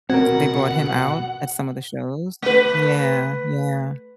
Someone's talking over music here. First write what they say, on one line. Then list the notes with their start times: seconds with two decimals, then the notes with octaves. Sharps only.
They brought him out at some of the shows yeah, yeah.
0.10 B2 C4 F#4 A#4 F#5
2.42 A3 B4